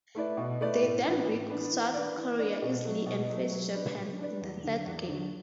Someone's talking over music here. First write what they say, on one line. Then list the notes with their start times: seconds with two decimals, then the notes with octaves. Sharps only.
They then beat South Korea easily and faced Japan in the third game.
0.15 A3 E4 B4 D5
0.37 B2
0.61 A3 E4 B4 D5
0.82 A2
1.05 E3 B3 D4 B4
1.28 A2
1.50 E3 B3 D4 B4
1.72 E3
1.94 D4 B4 D5
2.16 E3
2.39 D4 B4 D5
2.62 B2
2.84 F#3 A3
3.06 B2
3.29 F#3 A3
3.51 F#3
3.74 D4 B4 D5
3.97 F#3
4.18 D4 B4 D5
4.41 E2
4.64 D3 F#3 D4
4.86 E2
5.08 D3 F#3 D4